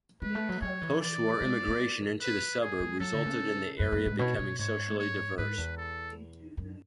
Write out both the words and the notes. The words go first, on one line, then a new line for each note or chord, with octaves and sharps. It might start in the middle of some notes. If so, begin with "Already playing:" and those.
Postwar immigration into the suburb resulted in the area becoming socially diverse.
G#3 B4
A3
F#3
F#3 C#5
E3
D5
G#3
B3
B4
G#4
G#3
F#3 A4
D3
C#3
F#2 B4
F#2
G#2
B2 C#5
B2
G#2 C#5
C#5
G#2 B4
E2
A4
F#2